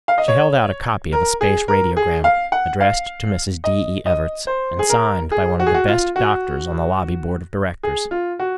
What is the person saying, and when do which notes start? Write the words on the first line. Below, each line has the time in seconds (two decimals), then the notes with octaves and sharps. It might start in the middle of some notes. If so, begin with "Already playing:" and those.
She held out a copy of a space radiogram, addressed to Mrs. D. E. Everts, and signed by one of the best doctors on the Lobby Board of Directors.
0.08 F5
0.18 D#5
0.28 C#5
1.12 A#4
1.41 G#4
1.68 A#4
1.97 G#4
2.24 F5
2.52 F#5
2.81 F5
3.64 D#5
4.06 D#5
4.47 C5
4.79 G#4
4.89 A#4
5.32 G#4
5.60 F#4
5.67 G#4
5.74 F#4
5.88 F4
6.16 F#4
7.83 G#4
8.11 F4
8.39 F#4